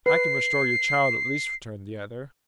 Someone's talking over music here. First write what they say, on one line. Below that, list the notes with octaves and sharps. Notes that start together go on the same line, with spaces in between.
"I can restore your child at least," returned the other.
B4 C7